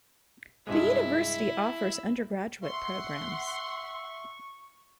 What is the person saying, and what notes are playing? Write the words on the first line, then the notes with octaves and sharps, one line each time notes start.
The university offers undergraduate programs.
G2 C3 G#3 E4
E5
E5 F#5 C6 C#6